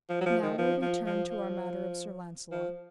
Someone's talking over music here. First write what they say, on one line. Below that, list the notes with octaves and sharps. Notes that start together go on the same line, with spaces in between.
Now will we turn to our matter of Sir Launcelot.
F3
F#3
F3
D#3
F3
F3
F3
F3
F3